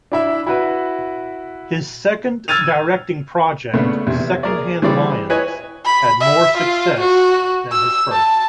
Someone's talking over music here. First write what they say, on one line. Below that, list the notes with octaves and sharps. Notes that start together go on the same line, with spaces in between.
His second directing project, "Secondhand Lions" had more success than his first.
D4 E4 E5
E4 F#4 B4
E6 F6 G#6 A6 D#7 F7
C#3 A3 B3 D4
E2 C3
G#4 A#4 D5
E3 G3 C4 G#4 D5
E4 B4 C#5 D#5 G#5
B5
E5
F4
F#4
E6
A5